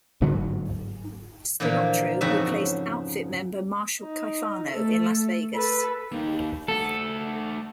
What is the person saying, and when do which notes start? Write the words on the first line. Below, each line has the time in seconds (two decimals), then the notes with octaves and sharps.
Spilotro replaced Outfit member Marshall Caifano in Las Vegas.
0.21 G1 G#2 D3 F#3
1.60 A#2 D3 E3 F3 A#3
2.21 F2 G#2 C#3 F#4 E5
4.01 D#4
4.70 A3 A4
5.55 A4 B4
6.12 A#3 D#4
6.68 A3 A4 F#5